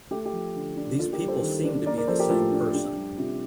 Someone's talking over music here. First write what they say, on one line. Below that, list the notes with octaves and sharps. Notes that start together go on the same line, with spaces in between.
These people seem to be the same person.
A3 G4
G4
F3
D3
D4
A#3 F4 A4
G4 A#4
G3
A4 C5
D#3
D4
A#3 A#4 D5
A#4 D5
F3 A4 C5
G4 A#4
A2 F4 A4
D4
D4 G4
G3
C3 F4